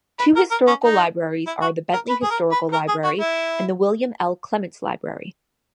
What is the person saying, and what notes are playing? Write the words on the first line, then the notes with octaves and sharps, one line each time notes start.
Two historical libraries are the Bentley Historical Library and the William L. Clements Library.
B4
A#4
A#4
C#4
D#4
E4
F#4
A#4
B4
G#4
A#4
B4
A#4
G#4
F#4
E4